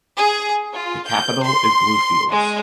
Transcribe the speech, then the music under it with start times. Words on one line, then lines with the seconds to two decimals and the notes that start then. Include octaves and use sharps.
The capital is Bluefields.
0.18 G#4
0.73 F4
1.07 G6
1.43 C6
2.31 G#3